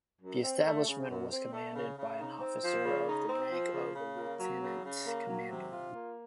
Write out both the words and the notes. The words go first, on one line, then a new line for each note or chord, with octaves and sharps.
The establishment was commanded by an officer of the rank of Lieutenant Commander.
F#2
C4
A3
C#3
F#2
C4
A3
C#3
C#3
D#4
C4
F3
C#3
D#4
C4
F3
C#3
C#3
A#3
F#3
C#3
C#3
A#3
F#3
C3
F4
A#3